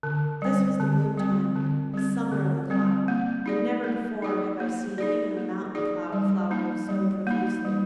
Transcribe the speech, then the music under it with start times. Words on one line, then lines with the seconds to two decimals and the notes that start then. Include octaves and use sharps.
This was the bloom-time, the summer of the cloud, and never before have I seen even a mountain cloud flowering so profusely.
0.03 D3
0.42 G3 C4
0.80 D3
1.17 G3 C4
1.56 D3
1.94 G3 C4
2.32 D3
2.70 G3 C4
3.08 A#3
3.46 D#4 G#4 D5
3.84 A#3
4.22 D#4 G#4 D5
4.60 A#3
4.98 D#4 G#4 D5
5.37 A#3
5.75 D#4 G#4 D5
6.13 G3
6.51 A#3 D#4
6.89 G3
7.27 A#3 D#4
7.65 G3